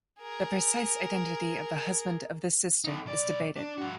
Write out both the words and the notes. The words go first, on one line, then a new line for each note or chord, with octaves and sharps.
The precise identity of the husband of this sister is debated.
G#4 A#4
D#4 A4
B1 D5
D4
G2 F#4